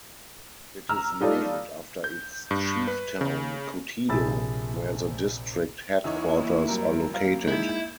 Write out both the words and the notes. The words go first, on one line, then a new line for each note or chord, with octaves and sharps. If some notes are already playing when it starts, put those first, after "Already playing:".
It is named after its 'chief town', Kotido, where the district headquarters are located.
A#5 E6 F6
G3 D#4 F4 A4 D5
G6
G2
B4
C#3
A#1 C3 G#4 B5 E6 A6
E2 A#3 D#4 E4 C#5 E5
F#2 G3 A#4
A#3 F5
G#3 D#4 E4 G6 G#6